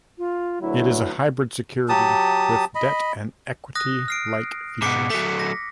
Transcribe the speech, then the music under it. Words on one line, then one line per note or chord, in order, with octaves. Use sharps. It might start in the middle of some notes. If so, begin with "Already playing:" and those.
It is a hybrid security with debt- and equity-like features.
F4
D2 E3 F#3 E4
F#3 G4 A5 D#6
D#5 B5
D#6 F#6 A#6
F6 C7 D7
G#2 B2 D6 B6 C#7
F#3 A3 B6
A#6